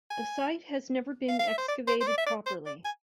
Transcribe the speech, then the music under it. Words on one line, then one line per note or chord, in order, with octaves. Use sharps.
The site has never been excavated properly.
G#5
F5
F5
E5
C5
D5
C5
C5
D5
E5
D5
C5
D5
G#5